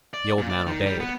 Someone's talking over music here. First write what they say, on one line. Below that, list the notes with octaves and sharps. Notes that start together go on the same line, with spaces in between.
The old man obeyed.
D5
A#2
D5
D#3
G3
B3